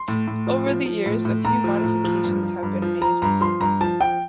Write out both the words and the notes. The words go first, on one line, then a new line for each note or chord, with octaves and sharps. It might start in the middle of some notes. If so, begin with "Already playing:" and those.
Over the years, a few modifications have been made.
Already playing: C6
A2
A2
F3
F3
F3
A2
A2
A2 A#5
F3
A2
F3
G2
F3
G2
F3
F3 A#5
G2 A#5
F3 C6
G2 A#5
F3 A5
F3 G5